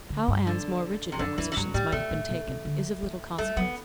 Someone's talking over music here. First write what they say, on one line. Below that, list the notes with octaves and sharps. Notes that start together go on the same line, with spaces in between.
How Anne's more rigid requisitions might have been taken is of little consequence.
D3
G2
D3
C3
F#2 D3
F#2 E3
E3
G2 F#3
A2 G3
B2 A3
A2
B2
C3
D3
E3
G3 A3
F#3 B3